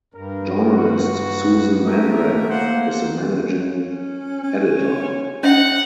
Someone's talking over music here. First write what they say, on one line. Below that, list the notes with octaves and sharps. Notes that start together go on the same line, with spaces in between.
Journalist Susan Madrak is the managing editor.
G2 A#4
F#4
A3 G4 A#4 E5
A#3 C5 F#5
C#4
C#4
C#4 D#4 D#5 E5 F#5